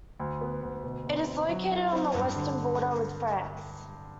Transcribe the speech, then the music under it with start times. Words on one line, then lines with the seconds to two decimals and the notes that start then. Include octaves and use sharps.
It is located on the western border with France.
0.19 D2
0.41 B3
0.63 D2
0.83 B2
1.06 B2
1.28 C4
1.49 F#3
1.71 E4
1.92 C4
2.14 G2
2.36 D3